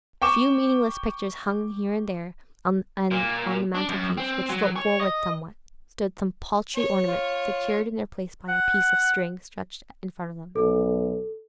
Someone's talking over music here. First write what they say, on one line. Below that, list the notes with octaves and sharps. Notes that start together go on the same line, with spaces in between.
A few meaningless pictures hung here and there, and on the mantel-piece, which sloped forward somewhat, stood some paltry ornaments, secured in their places by a piece of string stretched in front of them.
G5 C#6 D6 E7
A#2
D4
F#2
C4
F#3
C#5
D#5
C#5
F4
F#5
B1 A4